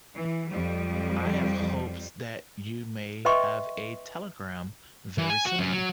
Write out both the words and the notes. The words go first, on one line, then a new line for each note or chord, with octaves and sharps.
I have hopes that you may have a telegram very soon.
E3
F2 G3
B4 D#5 E5 G5 C6 C#6
E3
G#5
F#4
F#2
F#3